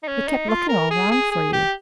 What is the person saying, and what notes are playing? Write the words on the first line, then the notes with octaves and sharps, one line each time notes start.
"We kept looking all round for you."
D#4
C#4
D#4
F4
A#4
G#4
G#4
G#4
G4